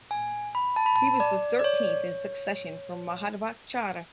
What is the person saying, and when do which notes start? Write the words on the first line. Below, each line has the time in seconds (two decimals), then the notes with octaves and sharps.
He was the thirteenth in succession from Madhvacharya.
0.11 G#5
0.55 B5
0.76 A5
0.86 B5
0.96 A5
1.20 D5
1.59 D5
1.64 C#5